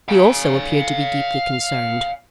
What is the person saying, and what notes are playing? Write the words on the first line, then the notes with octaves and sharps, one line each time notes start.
He, also, appeared to be deeply concerned.
F5 G#5